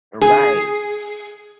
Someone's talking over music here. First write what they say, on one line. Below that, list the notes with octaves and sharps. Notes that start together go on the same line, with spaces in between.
Uh Right.
G#4